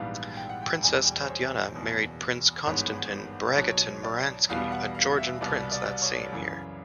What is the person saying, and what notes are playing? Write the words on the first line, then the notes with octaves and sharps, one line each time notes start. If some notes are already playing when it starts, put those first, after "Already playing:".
Princess Tatiana married Prince Konstantin Bagration-Muhransky, a Georgian prince, that same year.
Already playing: A#1 G#2 E3 G3 B3 F5
G5
F#5
G5
E1 E2 B2 G3 G#5
G5
C5
C#5
F#1 E2 B2
G#1 G2 E3 G#3 B3 C#5
B1 B2 F#3 C#5
D5
E2 B2 G3 B3 F5
F#5
F5
E5
C2 B2 G3 B3 D5
D5
C#5
F#2 C#3 E3